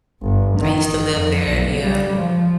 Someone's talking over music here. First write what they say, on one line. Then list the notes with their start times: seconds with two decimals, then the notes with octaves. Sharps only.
I used to live there, yeah.
0.22 G1
0.58 D#3
1.11 F2
1.45 B1
1.82 G3
2.17 F3